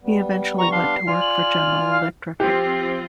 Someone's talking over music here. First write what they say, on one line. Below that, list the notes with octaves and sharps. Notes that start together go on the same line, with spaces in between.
He eventually went to work for General Electric.
G3 B3
A#5 C#6
D4 F5 C6 C7
F4 D5 G#5 F6
F#7
F5
F3 C4 F4 G4